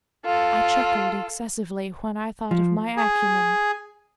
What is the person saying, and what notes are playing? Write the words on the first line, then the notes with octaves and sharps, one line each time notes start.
I chuckled excessively when I thought of my acumen.
F4 A4
F3
G#4